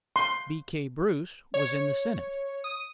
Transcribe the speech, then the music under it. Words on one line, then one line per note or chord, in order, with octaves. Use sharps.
B.K. Bruce, was in the Senate.
C6
C#5
D#6